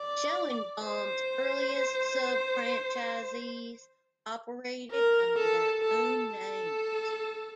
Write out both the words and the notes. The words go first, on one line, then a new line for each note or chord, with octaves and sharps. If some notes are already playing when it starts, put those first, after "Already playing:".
Schoenbaum's earliest subfranchisees operated under their own names.
Already playing: D5
C5
A#4
A4
A4
A4